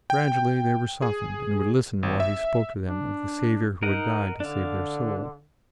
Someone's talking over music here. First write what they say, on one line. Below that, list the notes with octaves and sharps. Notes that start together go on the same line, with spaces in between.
Gradually they were softened and would listen while he spoke to them of the Saviour who had died to save their souls.
G5
G#4
G#1
E5
D4
D#4 A#4 D#5 F#5
D3 D4 F5